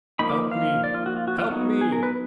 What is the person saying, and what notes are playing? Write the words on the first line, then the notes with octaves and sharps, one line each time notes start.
Help me! help me!'
F3 A#3 D#4 B5
D6
F5
D5
F4
F#4
F4
F#4
F4
F#3 B3 D#4 F#4
G#4
A#4
B4